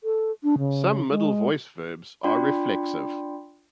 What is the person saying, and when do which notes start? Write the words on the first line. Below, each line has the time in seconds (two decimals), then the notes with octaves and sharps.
Some middle voice verbs are reflexive.
0.04 A4
0.43 D4
0.58 C#3
1.10 G#3
2.24 D4 F4 D5 G5 B5 C6